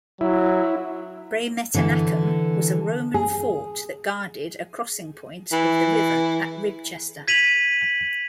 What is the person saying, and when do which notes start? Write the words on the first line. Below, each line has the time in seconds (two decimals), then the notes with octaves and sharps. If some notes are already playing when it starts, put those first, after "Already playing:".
Bremetennacum was a Roman fort that guarded a crossing-point of the river at Ribchester.
0.21 F#3 E4
1.74 D3 E3
3.14 G#4
5.52 E3
7.28 G#6 B6 D#7 F7 F#7